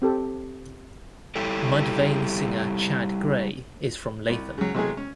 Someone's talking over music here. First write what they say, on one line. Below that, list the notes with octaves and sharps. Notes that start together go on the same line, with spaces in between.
Mudvayne singer Chad Gray is from Latham.
C4 G4 A4
G3 E4 G4 A4 C#5
C2
C#3 F#3
C3 E3 F#3 G#3 A3 G#4
C#4